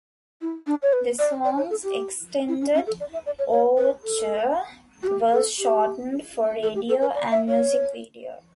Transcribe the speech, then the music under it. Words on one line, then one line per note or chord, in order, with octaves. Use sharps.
The song's extended overture was shortened for radio and music video.
E4
D4
C#5
B4
D5
D5
C#5
A4
G4
E4
C#4
C#4
A4
D5
E5
D5
C#5
C#5
B4
A4
F#4
G4
A4
G4
A4
G4
A4
B4
D5
E5
C#5